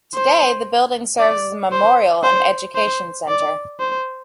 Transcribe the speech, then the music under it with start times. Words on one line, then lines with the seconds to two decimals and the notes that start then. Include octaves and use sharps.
Today, the building serves as a memorial and education centre.
0.14 C5
1.19 D5
1.72 C5
2.23 C5
2.75 C5
3.28 D5
3.80 C5